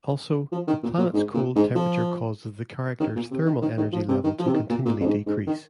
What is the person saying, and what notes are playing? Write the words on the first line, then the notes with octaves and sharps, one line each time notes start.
Also, the planet's cold temperature causes the characters' thermal energy level to continually decrease.
F3
D#3
A#2
A#2
G#2
A#2
G#2
F3
D#3
A#2
C3
D#3
D#3
D#3
F3
C3
D#3
F3
C3
D#3
A#2
A#2
F2
G#2
G#2
D#3